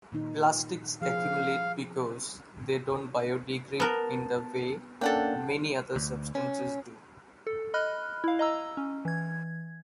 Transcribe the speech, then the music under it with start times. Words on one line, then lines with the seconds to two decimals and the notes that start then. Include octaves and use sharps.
Plastics accumulate because they don't biodegrade in the way many other substances do.
0.12 A#2 D#3 D#4
1.02 F3 G#4 F5
3.80 B3 A#4 A5
5.01 A#3 C#4 D4 A4 F#5 G5
5.96 D2
6.35 C#4
7.47 A4
7.74 D#5 B5 F6 F#6
8.24 E4 F5
8.39 D#5 A#5 E6
8.77 C#4
9.05 E3 G#6